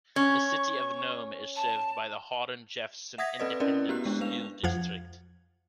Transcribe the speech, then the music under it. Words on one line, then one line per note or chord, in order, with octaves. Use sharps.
The City of Nome is served by the Hardin-Jefferson Independent School District.
C#4 C#6
A5
E5 F#5 D#6 G#6 A#6 B6
C4 A4 B4 D5 D#5
C#4 E4 A#4 D5 D#5
B3 F#4 G4 F#6
G#3 D4
G#3 D4 B4 F5 F7
F2 F3 F5 F#5 G#6